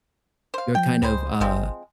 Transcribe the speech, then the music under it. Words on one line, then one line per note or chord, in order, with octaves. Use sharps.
you're kind of, uh,
C5 F5
F3 G5
C#2 G3 G#3 C5
G#1 F3 G#3 C4